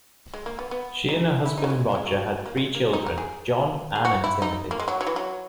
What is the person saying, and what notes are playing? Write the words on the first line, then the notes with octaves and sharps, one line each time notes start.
She and her husband, Roger, had three children: John, Anne and Timothy.
G#3
A#3
B3
B3
D#4
E4
D#4
F#3
G#3
G#3
F#3
A#3
G#3
A#3
D#4
A#4
G#4
G#4
F#4
E4
D#4
A#3
G#3
F#3
F#3
E3
F#3